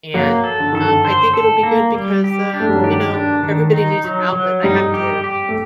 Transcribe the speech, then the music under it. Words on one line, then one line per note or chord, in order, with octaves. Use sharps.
and, um, I think it'll be good because, uh, you know, everybody needs an outlet and I have to
F#3 A#3
A4
D3
D#3 A4
D3
C5
A4
A#3
G3
G4
D4
A3
G3
F#3
D#3 G4
D4
D#3
D#4
F#3
F#3
G3 D#4
G4
G4
A3